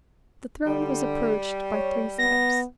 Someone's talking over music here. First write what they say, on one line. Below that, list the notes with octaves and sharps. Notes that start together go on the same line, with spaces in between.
The throne was approached by three steps.
D3 G3
C#5
B3 A#6